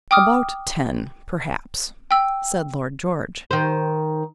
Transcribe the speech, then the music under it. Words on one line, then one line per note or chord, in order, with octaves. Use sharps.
"About ten, perhaps," said Lord George.
G5 D6 D#6 F6
G5 E6
D#3 C5